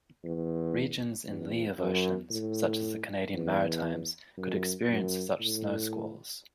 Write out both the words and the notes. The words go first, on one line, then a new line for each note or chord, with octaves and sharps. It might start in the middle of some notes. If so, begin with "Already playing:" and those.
Regions in lee of oceans, such as the Canadian Maritimes could experience such snowsqualls.
E2
E2
F#2
A2
E2
F#2
F#2
A2